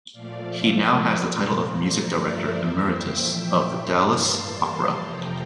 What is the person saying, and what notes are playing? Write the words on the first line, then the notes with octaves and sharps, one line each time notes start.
He now has the title of Music Director Emeritus of the Dallas Opera.
A#2 F3 A3 D5 F5
C5 E5
C3 F3 A3 A#4 D5
A#2 F3 A#3
A4 C5
G2 F3 A3 A#4 D5
C5 E5
F2 E3 A#3
E5 G5
A#2 F3 A3
G2 E3 A#3 F5 A5
A5 C6
A2 E3 G3 A#3 A5 C6
F2 C3 F3 A3 G5 A#5